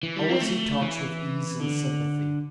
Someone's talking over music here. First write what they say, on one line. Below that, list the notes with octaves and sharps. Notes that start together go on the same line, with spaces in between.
Always he talks with ease and sympathy.
E3
G3
C4
A3
E3
D3